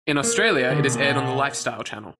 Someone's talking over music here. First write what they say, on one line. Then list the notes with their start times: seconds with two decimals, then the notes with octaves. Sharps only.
In Australia, it is aired on The Lifestyle Channel.
0.23 A#3
0.70 D3
0.81 B2
0.92 A#2
1.03 B2